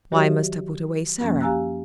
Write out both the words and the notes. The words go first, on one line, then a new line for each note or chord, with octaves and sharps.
"Why must I put away Sarah?"
D#3 F#3 F#4 G4 C#5 E5
F#2 F3 A#3 C#4
G4 F5 G#5 A#5 E6 F#6